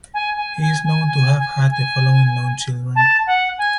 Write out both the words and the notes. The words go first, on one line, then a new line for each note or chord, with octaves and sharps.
He is known to have had the following known children.
G#5
G#5
G#5
G#5
G#5
G#5
G#5
A5
F#5
G#5